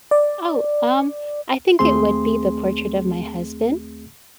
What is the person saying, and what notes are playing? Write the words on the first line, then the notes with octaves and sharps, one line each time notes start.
Oh, um, I think it would be the portrait of my husband,
D5
D#2 A3 C4 G#4 C6